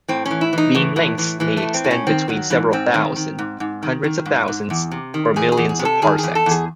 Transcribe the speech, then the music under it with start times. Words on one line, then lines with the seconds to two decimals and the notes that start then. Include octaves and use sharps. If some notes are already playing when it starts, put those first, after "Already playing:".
Beam lengths may extend between several thousand, hundreds of thousands or millions of parsecs.
0.08 A2 C4
0.26 C#4
0.31 E3
0.41 E4
0.53 E3 D#4
0.75 A2 E3
0.96 A2 E3
1.18 E3
1.40 E3 G#3
1.57 A3
1.62 A2
1.74 C4
1.85 A2
1.91 C#4
2.07 D#3 C4
2.28 D#3 F#3
2.50 G#2 E3
2.73 G#2 C4
2.94 D#3
3.16 D#3
3.39 G#2
3.60 G#2
3.83 D#3
4.04 D#3
4.26 G#2
4.48 G#2
4.70 E2
4.91 C3
5.14 D#3
5.36 E2 G#4
5.52 G#4
5.57 E2
5.69 G#4
5.79 C3
5.85 A4
6.02 D#3 G#4
6.18 E2 G#4
6.35 A4
6.46 E2
6.51 G#4